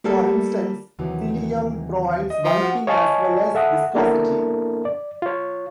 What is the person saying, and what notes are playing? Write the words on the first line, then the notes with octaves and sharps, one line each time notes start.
For instance, psyllium provides bulking as well as viscosity.
G3 A#3 A4
D#2 C3 E3 F#3
D#5
F3
F4 F#4 F#5
C#5 D#5 F5 G#5 A5 C#6
A4 E5 F#5 D#6
A#3 B3 D4 E4 A4 A#4
D5
F4 C#5